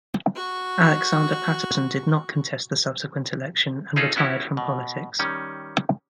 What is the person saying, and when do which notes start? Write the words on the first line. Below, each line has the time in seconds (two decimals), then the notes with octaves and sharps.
Alexander Paterson did not contest the subsequent election, and retired from politics.
0.35 F#4 C#6
3.96 C4 C#4 D#4 F4 G#4 A4
4.16 B3 C#4 E4 F#4 G4
4.57 B2
5.19 D#3 G3 C#4